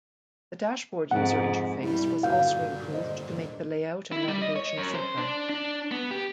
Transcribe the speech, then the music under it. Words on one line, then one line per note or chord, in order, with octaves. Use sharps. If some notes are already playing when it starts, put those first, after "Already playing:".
The dashboard user interface was also improved to make the layout and navigation simpler.
F2 G#2 F#5
G2 B2 G3 E4
G2 A#2 D3 F#4 B4 F5 G6
C5 D#5
E4
G3
D#5
C#5
F#2
C5
D4
D4
B3
G4